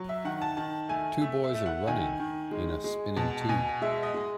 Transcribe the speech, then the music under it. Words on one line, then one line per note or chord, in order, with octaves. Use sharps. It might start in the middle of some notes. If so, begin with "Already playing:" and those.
Two boys are running in a spinning tube.
Already playing: F#3
E5
D#3 F#5
A5
D#3 A5
A3 G#5
A3 E5
E5
A3
F#5
D#3 G#5
D#3
G#3
G#3
B2 A5
A5
B2 G#5
G#3 E5
D#5
G#3